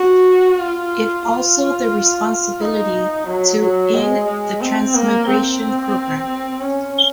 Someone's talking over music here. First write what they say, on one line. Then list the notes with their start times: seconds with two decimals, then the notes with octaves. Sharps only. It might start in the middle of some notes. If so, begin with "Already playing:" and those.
It also the responsibility to in the Transmigration Program.
Already playing: F#4
0.59 F4
1.26 F4
2.60 D#4
3.27 F#3
3.60 F#3
3.94 G#3
4.27 G#3
4.61 C4
4.94 A#3
5.28 C4
6.61 C#4